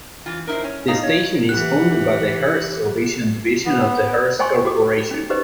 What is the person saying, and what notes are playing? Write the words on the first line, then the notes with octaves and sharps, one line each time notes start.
The station is owned by the Hearst Television division of the Hearst Corporation.
E3 F4
D#4 E4 A#4 C5
C#4 G#5
B2 D#4 F5
C#5
E3 G4 F#5 F#6
B3
C5 D#5 G5 G#5 C6 C#6
F#4 G4 A4 D6
C#4 D#4
G4 B4 C5 D#5